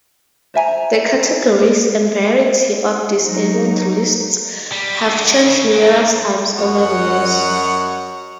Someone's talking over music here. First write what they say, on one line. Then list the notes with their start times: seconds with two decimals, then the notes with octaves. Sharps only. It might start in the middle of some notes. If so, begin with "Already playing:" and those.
The categories and variety of disabled lists have changed numerous times over the years.
0.54 C5 E5 G#5 A#5
3.25 F#3 D#4
4.72 G3
5.00 D3 G#3
5.46 C#3
5.72 G#2 A#3
6.56 F#2 C#5 D#5 F#5